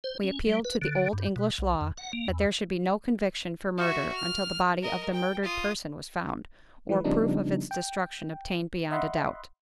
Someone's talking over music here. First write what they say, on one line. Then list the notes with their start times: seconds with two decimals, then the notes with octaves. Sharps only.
We appealed to the old English law, that there should be no conviction for murder until the body of the murdered person was found, or proof of its destruction obtained beyond a doubt.
0.04 C5
0.23 C#4
0.47 G3
0.65 B4
0.82 D3
1.13 G2
1.36 B2
1.58 B1
1.81 F2
1.98 F#5
2.13 A#3
2.29 E2
3.77 F#4 E5
4.15 F6
4.82 A#4 D#5
5.13 G5
5.43 F4 D#6
6.89 E3 F3 G#3 B4
7.04 C#3 F3 G3 B3 D4 D#4
7.71 G5
8.91 D#5 E5 F#5 B5 C6